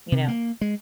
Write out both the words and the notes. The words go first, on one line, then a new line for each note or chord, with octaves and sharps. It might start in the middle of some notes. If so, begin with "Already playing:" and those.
you know,
C3
A#3
G#3